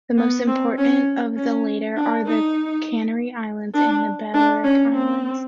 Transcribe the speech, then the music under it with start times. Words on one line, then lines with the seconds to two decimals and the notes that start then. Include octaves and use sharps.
The most important of the latter are the Canary Islands and the Balearic Islands.
0.18 B3
0.48 C4
0.78 C#4
1.37 C#4
1.96 D4
2.26 D#4
3.74 D4
4.34 D4
4.64 C#4
4.93 C4